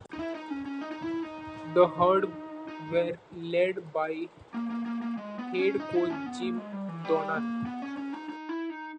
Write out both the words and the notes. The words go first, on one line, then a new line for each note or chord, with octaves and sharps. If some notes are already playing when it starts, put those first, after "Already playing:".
The Herd were led by head coach Jim Donnan.
D#4
E4
D#4
C#4
C#4
D#4
D#4
E4
D#4
D#4
A#3
A#3
A#3
A#3
G#3
B3
B3
C#4
D#4
E4
C#4
B3
A#3
G#3
G3
E3
G3
A#3
B3
C#4
C#4
D#4
D#4
E4
D#4